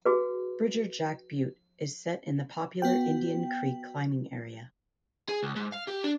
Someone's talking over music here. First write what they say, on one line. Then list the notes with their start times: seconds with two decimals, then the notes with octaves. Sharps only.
Bridger Jack Butte is set in the popular Indian Creek climbing area.
0.06 F#4 G#4 B4
2.82 B3 F#4 G5
5.29 G#4
5.43 C#2
5.56 G#2
5.73 F5
5.88 G4
6.04 D4